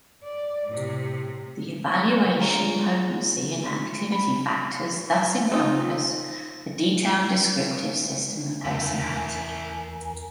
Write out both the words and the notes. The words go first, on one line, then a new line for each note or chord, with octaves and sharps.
The evaluation, potency and activity factors thus encompass a detailed descriptive system of personality.
D5
A2 C3
D3 G3 G#3 B3 F4 C5
D4 F4 G#4 C#5 A#5
B5
C4 D#4 F4
E2 E3 A3 A#4 G#5